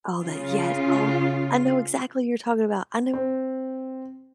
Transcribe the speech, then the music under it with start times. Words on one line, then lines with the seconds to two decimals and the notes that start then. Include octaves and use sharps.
Oh, that yes. Oh, I know exactly who you're talking about. I know
0.23 C#3 F4
3.13 C4